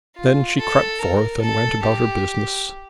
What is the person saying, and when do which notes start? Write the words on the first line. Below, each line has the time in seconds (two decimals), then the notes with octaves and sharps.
Then she crept forth, and went about her business.
0.16 F4
0.59 A4
0.99 A#4
1.41 A4
1.82 G4